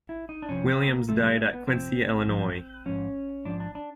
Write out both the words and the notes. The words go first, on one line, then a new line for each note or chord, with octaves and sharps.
Williams died at Quincy, Illinois.
E4
D#4
D4
F2 C3 F3 C#4
C4
A#3
F2 C3 F3 A3
G#3
A3
B3
F2 C3 F3 C4
G#2 F3
G#2 F3 C#4
G#2 F3 D4
D4
D4